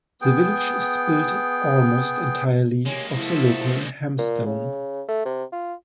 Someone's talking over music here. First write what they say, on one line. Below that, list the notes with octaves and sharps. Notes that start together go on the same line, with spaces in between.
The village is built almost entirely of the local hamstone.
B3 G#4 G5
G#3 A#3 C#4 G4
F3 E4 F#4 A4 E5
A#2
C#3
A3
C3
F4